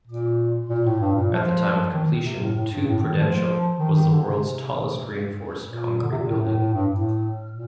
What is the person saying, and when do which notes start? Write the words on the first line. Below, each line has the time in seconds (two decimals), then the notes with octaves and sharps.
At the time of completion Two Prudential was the world's tallest reinforced concrete building.
0.07 A#2
0.69 A#2
0.85 A2
1.00 G2
1.15 A#2
1.32 F3
1.93 D#3
2.24 C3
2.40 A2
2.56 A2
2.71 G2
2.87 A2
3.02 D#3
3.17 F3
3.79 D#3
3.95 D#3
4.10 D3
4.26 C3
5.65 A#2
6.03 D3
6.11 C3
6.18 A#2
6.28 A2
6.42 A2
6.58 A2
6.74 G2
6.90 A2
7.51 A#2